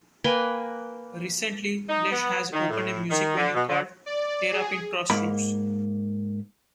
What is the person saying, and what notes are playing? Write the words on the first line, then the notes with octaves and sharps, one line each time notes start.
Recently, Lesh has opened a music venue called Terrapin Crossroads.
A#3 B4 G5 G#5
D#4
B3
D#3
A2
D#3
D3
B2
D3
D5
G#4
G#2 A#3 B5